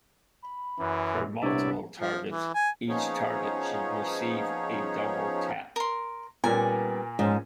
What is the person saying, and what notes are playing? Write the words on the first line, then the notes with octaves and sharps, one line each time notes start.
For multiple targets, each target should receive a double tap.
B5
F#2 E3
C2 C3 B3 D4 C#5 D5 E5
F3
E3
G#5
F3 B3 C#4 D#4 G#4 C#5
A#4 C6
A#2 G3 A#3 B3 C#4 G#5
G#2 F3 C#4